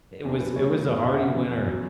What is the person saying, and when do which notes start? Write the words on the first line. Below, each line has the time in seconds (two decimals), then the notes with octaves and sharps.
it was it was a hearty winter,
0.24 E2 D4
0.40 F#3 B4
0.56 D2 C#5
0.72 F#3 B4
0.87 E2 B4
1.03 E2 E5
1.14 F#5
1.19 F#2 E5
1.34 E3
1.50 E2
1.66 F#3